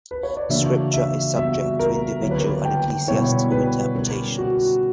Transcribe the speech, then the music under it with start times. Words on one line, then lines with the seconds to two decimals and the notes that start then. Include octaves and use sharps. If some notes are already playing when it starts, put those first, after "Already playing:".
Scripture is subject to individual and ecclesiastical interpretations.
0.11 B4
0.23 C#5
0.37 D5
0.49 C#3 E3 A#3 D4 F#4 E5
0.94 E5
1.36 G3 B3 F#4 E5
1.79 A#4
2.22 D3 F#3 A#3 E4 G4 C#5
2.31 B4
2.39 A#4
2.46 B4
2.65 G5
3.08 B2 G3 B3 E4 C#5
3.52 B4
3.95 G3 C#4 G4 A#4
4.38 F#4